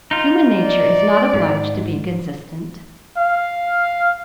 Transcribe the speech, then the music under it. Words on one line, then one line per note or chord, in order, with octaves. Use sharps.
Human nature is not obliged to be consistent.
D#4 F4
D5
G#2
F5